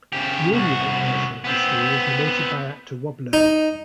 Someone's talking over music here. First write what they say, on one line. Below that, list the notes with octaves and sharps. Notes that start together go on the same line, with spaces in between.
The audiobook version of this story was narrated by actor Rob Lowe.
C#3 G4
C2 F#4
B3 C4
D#4